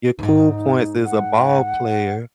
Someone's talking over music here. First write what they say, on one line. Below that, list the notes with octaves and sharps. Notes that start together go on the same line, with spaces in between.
your cool points as a ball player
D#2 G#2 D#4
F#5